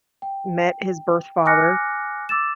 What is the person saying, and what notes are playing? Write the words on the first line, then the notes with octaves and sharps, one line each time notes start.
met his birth father
G5
G#5 D6 F6 F#6 A#6 C#7
D6 E6 A6 E7